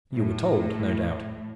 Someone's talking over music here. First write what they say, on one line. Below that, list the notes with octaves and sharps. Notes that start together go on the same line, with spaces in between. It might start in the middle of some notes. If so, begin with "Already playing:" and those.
"You were told, no doubt."
A2